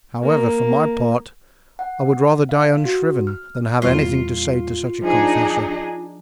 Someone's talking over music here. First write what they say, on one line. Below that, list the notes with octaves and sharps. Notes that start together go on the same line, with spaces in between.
However, for my part, I would rather die unshriven than have anything to say to such a confessor.
A#3
F#5
F5
F#4
F6
E2 A#2 G3 F4
F3 D4 D#4 G#4